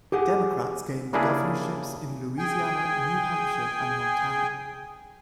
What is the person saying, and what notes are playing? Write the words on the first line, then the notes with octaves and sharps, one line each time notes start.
Democrats gained governorships in Louisiana, New Hampshire and Montana.
G4 G#4 F#5
C#3 G3 A#3 D4 E4 G#4
G#4 G5 G#5